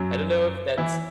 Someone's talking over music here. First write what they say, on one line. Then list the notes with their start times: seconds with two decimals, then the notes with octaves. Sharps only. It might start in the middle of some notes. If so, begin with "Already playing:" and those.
I don't know if that's
Already playing: F#2 F#3
0.78 E3 E4